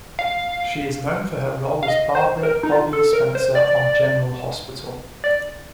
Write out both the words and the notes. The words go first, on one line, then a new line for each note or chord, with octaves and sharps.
She is known for her role as Barbara "Bobbie" Spencer on "General Hospital".
F5
F5
D#5
C5
A#4
D#4
F4
A4
A#4
C5
D5
D5